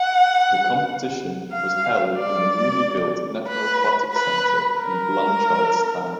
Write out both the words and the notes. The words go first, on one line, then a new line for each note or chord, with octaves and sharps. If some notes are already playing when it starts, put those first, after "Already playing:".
The competition was held in the newly built National Aquatic Centre in Blanchardstown.
Already playing: F#5
F5
D5
B4
B4
A#4